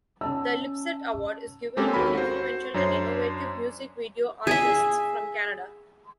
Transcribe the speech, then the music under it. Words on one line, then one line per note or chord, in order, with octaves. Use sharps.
The Lipsett Award is given to influential and innovative music video artists from Canada.
C#4 A5 E6
G#3 A#3 C4 C#4 G4 A4
D#2 F#4 A4 A#4 C#5 B5
F#4 C5
F#2 D4 C5 C#5 C7
G#4 E5